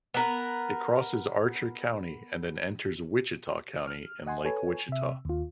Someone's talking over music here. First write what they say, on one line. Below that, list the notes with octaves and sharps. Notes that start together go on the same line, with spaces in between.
It crosses Archer County and then enters Wichita County and Lake Wichita.
B3 A#4
F6
D#5 F#5 G#5 C6
A4 B4 C#5 G#5
C3 E5
D#2 F4